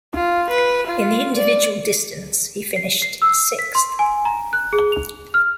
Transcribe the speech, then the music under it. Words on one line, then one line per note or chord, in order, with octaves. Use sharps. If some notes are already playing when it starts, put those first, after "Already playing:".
In the individual distance he finished sixth.
F4
B4
F4
D5
C7
C7
E6
B6
C6
G#5
A#5
F#6
G#4
F7
F6